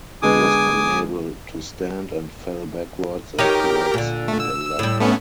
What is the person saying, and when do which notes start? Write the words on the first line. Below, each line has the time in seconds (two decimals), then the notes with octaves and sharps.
He was unable to stand and fell backwards and towards the left.
0.22 D3 G#3 B3 G#5 D6 D#6
3.39 D#4 G4 A#4 C#5
3.94 A#2 D3
4.28 A3
4.40 E6
4.79 A2 G3
5.00 A3 B3 C#4